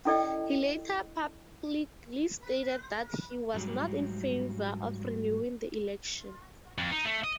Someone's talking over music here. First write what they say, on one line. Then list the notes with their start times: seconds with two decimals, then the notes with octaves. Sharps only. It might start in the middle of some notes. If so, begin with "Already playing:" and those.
He later publicly stated that he was not in favour of renewing the election.
0.05 C#4 E4 A4 D5 D#5 G5
3.54 G#2 F#3 G3
6.78 F2
6.91 D#4
7.05 A3
7.24 D#5